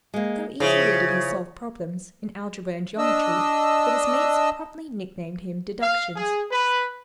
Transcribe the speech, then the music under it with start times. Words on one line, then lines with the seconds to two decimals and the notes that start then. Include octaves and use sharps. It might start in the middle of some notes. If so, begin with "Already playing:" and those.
So easily did he solve problems in algebra and geometry, that his mates promptly nicknamed him "Deductions."
0.14 G#3 A#3
0.60 C#3 F3 E4
2.98 D4 D#5 E6
5.81 F5
6.16 G#4
6.51 B4